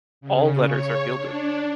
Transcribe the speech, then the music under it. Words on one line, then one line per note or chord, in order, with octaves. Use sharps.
All letters are gilded.
C#3
C#5
D4